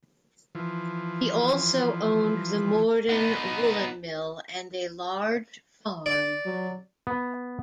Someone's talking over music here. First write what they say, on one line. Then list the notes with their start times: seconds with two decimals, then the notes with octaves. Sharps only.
He also owned the Morden Woollen Mill and a large farm.
0.55 E3 F3
3.09 B3 D#4
6.06 D5
6.45 F#3
7.07 B3